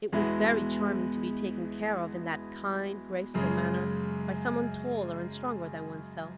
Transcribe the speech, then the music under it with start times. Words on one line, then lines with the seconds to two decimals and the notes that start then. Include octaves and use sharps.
It was very charming to be taken care of in that kind, graceful manner by some one taller and stronger than one's self.
0.12 E2 B2 G#3 B3 E4
3.34 F#2 C#3 G#3